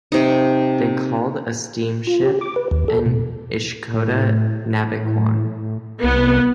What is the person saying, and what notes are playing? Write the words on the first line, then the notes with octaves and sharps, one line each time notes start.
They called a steam ship an ishcoda nabequon.
C3 D#4
F4
G4
D6
B4
D#2
A4
B2
A2
C2 B3